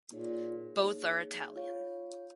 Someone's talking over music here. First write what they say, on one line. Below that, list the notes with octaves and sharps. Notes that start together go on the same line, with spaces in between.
Both are Italian.
A#2 A#3 D#4 G#4 C#5
A#3 D#4 G#4 C#5
F4 C#5 F5